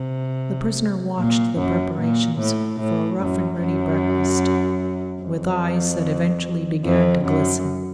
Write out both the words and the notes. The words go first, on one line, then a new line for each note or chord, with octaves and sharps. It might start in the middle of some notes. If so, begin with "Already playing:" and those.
The prisoner watched the preparations for a rough and ready breakfast with eyes that eventually began to glisten.
Already playing: C3
A#2
F#2
A#2
A2
A2
F#2
F#2
F2
F2
F#2